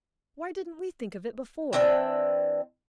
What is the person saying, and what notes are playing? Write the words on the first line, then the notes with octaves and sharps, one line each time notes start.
"Why didn't we think of it before?"
E3 C4 D4 G5